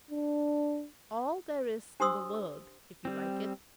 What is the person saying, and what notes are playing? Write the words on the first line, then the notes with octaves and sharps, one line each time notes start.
All there is in the world if you like it.
D4
D4 G4 C5 C6 D#6 E6
G3 C4